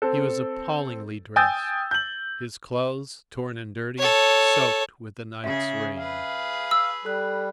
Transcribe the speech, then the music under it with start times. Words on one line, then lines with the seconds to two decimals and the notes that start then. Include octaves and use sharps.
He was appallingly dressed: his clothes torn and dirty, soaked with a night's rain.
0.02 C4 A4
1.36 G5 G#5 D#6 E6 G6 A6
1.91 G6 F#7
3.98 A4 C#5
5.44 C#3 G#4 E5
5.97 G#4 B4 E5 F5
6.71 E6
7.05 G3 A4 B5 F#6